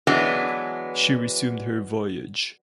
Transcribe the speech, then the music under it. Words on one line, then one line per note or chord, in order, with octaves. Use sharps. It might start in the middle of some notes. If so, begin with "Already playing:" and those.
She resumed her voyage.
E3 F#3 G#3 B3 D4